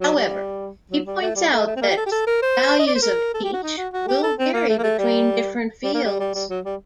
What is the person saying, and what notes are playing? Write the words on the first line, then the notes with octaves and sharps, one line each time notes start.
However, he points out that values of h will vary between different fields.
F#3
G3
F#3
G3
A3
G3
A3
A3
C4
A#3
G4
A4
G4
A4
A#4
C5
D#5
D5
C5
A#4
A4
G4
F#4
D#4
F#4
F#4
G4
A4
C4
A#3
A3
A#3
A3
G3
G3
A#3
G3
G3
G3
F#3
G3